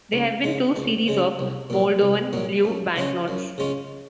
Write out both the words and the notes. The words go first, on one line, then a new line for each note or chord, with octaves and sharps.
There have been two series of Moldovan leu banknotes.
C#2
C#3 G#3
C#2
C#3 G#3
C2
A#2 F#3
C2
A#2 F#3
F#2
C#3 G#3 C#4 F4
F#2
C#3 G#3 C#4 F4